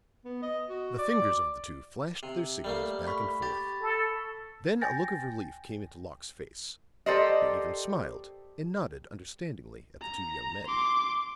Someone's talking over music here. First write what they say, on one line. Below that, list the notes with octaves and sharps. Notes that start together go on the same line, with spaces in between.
The fingers of the two flashed their signals back and forth; then a look of relief came into Locke's face; he even smiled, and nodded understandingly at the two young men.
B3
D#5
F#4
D5
C3
G3 A3 A#3
B5 C#6 B6
G4 A6
A4
G5 G#5 G6 A6 A#6
G4 A4 A#4 C5 D5 D#5
A#5
C6 D6